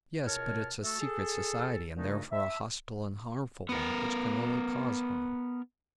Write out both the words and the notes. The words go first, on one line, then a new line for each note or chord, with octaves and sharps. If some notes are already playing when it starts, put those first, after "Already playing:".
"Yes, but it's a secret society and therefore a hostile and harmful one which can only cause harm."
C#2 B2 A#4 C#5 A5 F6
A3 F#4 A4
G#4 A4
A#2 C#3 A3 D4 D#4
E5
B3 A#4